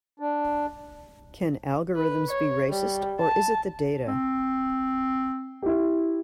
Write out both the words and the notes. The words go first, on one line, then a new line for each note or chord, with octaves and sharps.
Can algorithms be racist or is it the data?
D4
B4
C#5
G3
A5
C4
E4 G4